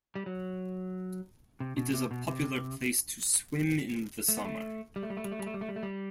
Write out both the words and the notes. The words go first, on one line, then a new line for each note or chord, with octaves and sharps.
It is a popular place to swim in the summer.
G3
F#3
C3
B2
C3
B2
C3
A3
B3
A3
G3
A3
G3
A3
G3
A3
G3
A3
G3
A3
G3
A3
G3